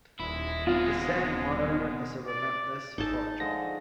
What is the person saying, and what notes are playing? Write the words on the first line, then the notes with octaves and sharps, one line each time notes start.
The sand monitor is a relentless forager.
D#1 G#3 E4
B2 C4 F4
D5
G#1 D#4 G#4 A4 C#5 A5
D3 F3 G#3 A#6